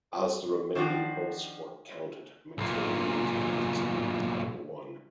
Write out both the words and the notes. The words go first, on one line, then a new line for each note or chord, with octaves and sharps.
As the remaining votes were counted, McCain maintained his lead and won.
D#3 F3 D4 F#4 G4
B1 A#2